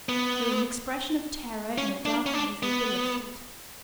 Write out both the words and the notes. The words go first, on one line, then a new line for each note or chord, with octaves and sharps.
There was an expression of terror in the dark eyes that were lifted.
B3
C#4
D4
C#4
D4
B3